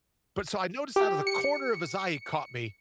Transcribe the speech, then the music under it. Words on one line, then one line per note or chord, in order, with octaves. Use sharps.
but, so, I noticed out of the corner of his eye, he caught me,
G4
C#7